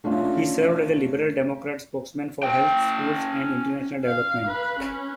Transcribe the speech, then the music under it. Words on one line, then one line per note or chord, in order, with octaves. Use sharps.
He served as a Liberal Democrat spokesman for Health, Schools and International Development.
A3 C#4 D4 F4
C#4 G5
F5
B4
C#4